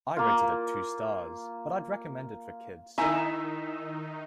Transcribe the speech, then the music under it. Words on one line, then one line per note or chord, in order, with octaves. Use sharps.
I rate it at two stars, but I'd recommend it for kids.
A#3 F4
D#3 D#4 E4 E5 G#5 A#5